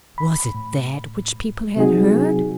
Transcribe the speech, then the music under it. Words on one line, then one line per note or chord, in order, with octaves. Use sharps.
Was it that which people had heard?
B5
A2
C3 F#3 C4 D#4 F#4 G#4